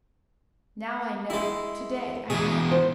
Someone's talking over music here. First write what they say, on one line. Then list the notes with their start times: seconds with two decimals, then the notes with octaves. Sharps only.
Now I know--to-day I know.
1.30 G#3 E4
2.30 B2 E3 G#4
2.71 C5